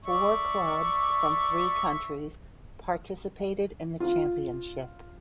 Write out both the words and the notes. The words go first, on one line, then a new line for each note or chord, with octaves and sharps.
Four clubs from three countries participated in the championship.
D5 E5 C#6
F4